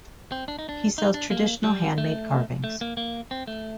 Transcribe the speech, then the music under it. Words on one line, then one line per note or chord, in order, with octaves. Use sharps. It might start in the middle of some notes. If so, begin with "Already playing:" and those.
He sells traditional handmade carvings.
C4
D4
D#4
D4
D#4
D4
A#3
G3
A3
A3
A#3
A#3
C4
A3